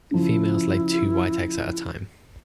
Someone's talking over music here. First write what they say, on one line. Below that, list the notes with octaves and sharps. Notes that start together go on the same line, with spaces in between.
Females lay two white eggs at a time.
C#3 F3 E4